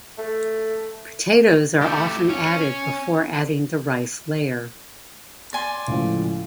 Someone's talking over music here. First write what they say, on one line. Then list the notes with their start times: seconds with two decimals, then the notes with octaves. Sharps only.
Potatoes are often added before adding the rice layer.
0.18 A3
1.82 A3 G4
2.29 C#4
5.53 D5 G#5 C6
5.88 C#2 A2 F3